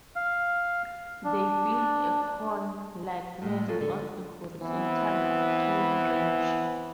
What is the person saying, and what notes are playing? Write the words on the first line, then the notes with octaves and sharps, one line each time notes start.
They build a cone-like nest on a horizontal tree branch.
F5
D4
A2 G#3
F3 F#3 F4 A4 G#5
D3 G#4 A4
E3 B3 C4